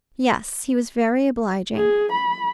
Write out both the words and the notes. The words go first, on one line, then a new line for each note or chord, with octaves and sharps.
'Yes; he was very obliging.
G#4
B5